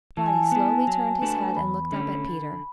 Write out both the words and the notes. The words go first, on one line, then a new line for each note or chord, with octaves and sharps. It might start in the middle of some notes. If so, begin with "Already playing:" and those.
Spotty slowly turned his head and looked up at Peter.
E3 A5
G#5
A5
B3 E4
F#3
A3 D4 F#4 B4
E2 B5
D3 A3 C#4
D3